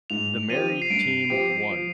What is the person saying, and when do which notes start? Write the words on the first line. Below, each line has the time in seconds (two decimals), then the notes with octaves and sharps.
The Married team won.
0.10 G#2 F7
0.49 F3 C4 G4 D#7
0.82 C7
0.90 G2 D7
1.30 F3 C4 G4
1.70 F3